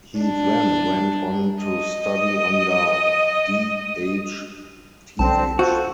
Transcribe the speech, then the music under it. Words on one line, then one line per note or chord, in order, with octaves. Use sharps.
He then went on to study under D. H. Th.
D4
D#5 D#6
B1 D3 C4 A5
F4 F#4 A4 C5